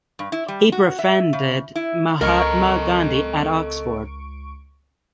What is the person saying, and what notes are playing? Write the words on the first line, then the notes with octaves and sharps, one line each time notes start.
He befriended Mahatma Gandhi at Oxford.
G2
E4
G3
F#4
E5
C#3
E4
C#2 A4 A#4 D#5 C#6 D7